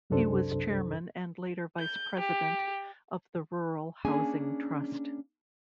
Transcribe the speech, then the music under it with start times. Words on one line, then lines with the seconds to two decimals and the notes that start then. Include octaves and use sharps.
He was chairman and later vice-president of the Rural Housing Trust.
0.10 C2 F#2 C3 D4 A4 C5
1.78 G6
2.18 G4
4.05 A#3 C#4 D4 G#4 G#5